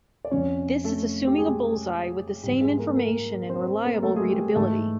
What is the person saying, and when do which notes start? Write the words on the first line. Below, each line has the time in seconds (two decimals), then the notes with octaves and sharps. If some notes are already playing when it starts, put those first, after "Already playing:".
This is assuming a bull's eye with the same information and reliable readability.
0.25 D5
0.31 F2 C3 F3 C#4 C#5
0.84 A3 A4
1.27 G4
1.38 G#3 G#4
2.43 G#2 G3 G4
2.48 E3
2.61 G#3 G#4
2.79 A#3 A#4
2.97 A#3 A#4
3.49 C4 C5
3.85 A#3 A#4
4.03 A3 A4
4.16 G#3 G#4
4.30 G3 G4
4.55 G#2 E3 A3 A4